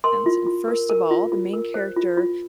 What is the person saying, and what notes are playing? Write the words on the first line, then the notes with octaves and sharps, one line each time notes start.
And first of all, the main character,
A#4 C6
F4
F4
A#4
A#4
F4
F4
A#4
C5
F4
F4